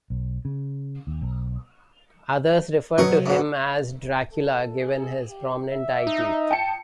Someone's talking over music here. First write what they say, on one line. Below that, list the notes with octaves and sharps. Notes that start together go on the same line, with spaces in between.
Others refer to him as Dracula, given his prominent eye teeth.
B1
C#3
D#2
B1
B2 F#3 C#6 D#6
G#2 B2
A4
G#4
G4
E5
D#4
G5 A5 C#7